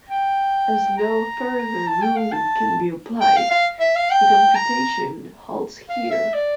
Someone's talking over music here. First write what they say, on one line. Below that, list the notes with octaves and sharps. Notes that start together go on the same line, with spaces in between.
As no further rule can be applied, the computation halts here.
G5
A#5
A5
G5
F5
A5
G5
F5
F5
E5
F5
G5
A#5
F5
E5
D5